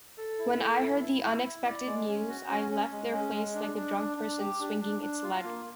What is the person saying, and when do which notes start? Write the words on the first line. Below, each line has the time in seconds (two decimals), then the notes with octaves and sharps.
When I heard the unexpected news I left their place like a drunk person swinging its leg.
0.18 A4
0.39 E4
0.60 A4
0.81 E4
1.02 E4
1.23 E4
1.44 E4
1.65 D5
1.86 G#3
2.07 C#4
2.28 F#4
2.49 C#4
2.71 C#4
2.91 G#3
3.12 C#4
3.34 G#3
3.55 D4
3.76 D4
3.97 D4
4.17 D4
4.38 G4
4.60 D4
4.81 D4
5.02 D4
5.23 F4
5.44 A#3